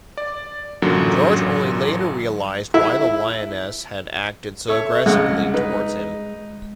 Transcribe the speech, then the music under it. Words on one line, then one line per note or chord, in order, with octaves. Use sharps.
George only later realised why the lioness had acted so aggressively towards him.
D5
A1 F#2 A#2 D3 F#3
E4
A4 C#5 E5
C2 C#3 G#3 F#5
D#4 B4